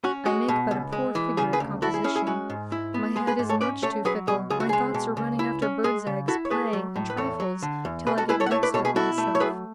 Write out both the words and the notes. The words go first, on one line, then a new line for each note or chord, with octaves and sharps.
I make but a poor figure at composition, my head is much too fickle, my thoughts are running after birds' eggs, play and trifles till I get vexed with myself.
C#4 F#4
G#3 F#4
B2
C#2
G#3
E3
C#3 G#4
G#4 B4
D2
E4 F#4 A4
G#4
C#4 G#4
G#4
G#3 F#4
G#2
E4
B3
G#3 G#4
G#4 B4
G#2
A4 C#5
C#4 B4 D5
A3 A4 C#5
F#3 G#4 B4
B2 G#4
C#2 G#4
F#4
G#3 G#4
B2
C#2
E4
C#4
G#3 G#4
C#3
E4 F#4 A4
C#5
A3 G#4 B4
F#3
A2
B4
E2 A4 C#5
F#3
D3
E2
B2 G#4 B4
F#4 A4
E4 G#4 B4
A4 C#5
F#5
A3 C#5 E5
B4 D5
B2 A4 C#5
G#4 B4
E4 F#4 A4
A3
C#5
F#3 G#4 B4